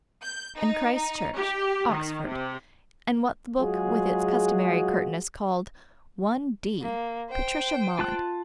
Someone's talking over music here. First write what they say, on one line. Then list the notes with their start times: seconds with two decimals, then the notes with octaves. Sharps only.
Eton and Christ Church, Oxford, and what the book with its customary curtness called "one d."--Patricia Maud.
0.22 G6
0.58 D#4
0.95 D#4
1.36 G4
1.90 D#3
2.28 C3
3.60 F#3 G#3 F4 F#4 G#4
6.81 A#3
7.30 C5 G5
7.99 F4 A5 F#6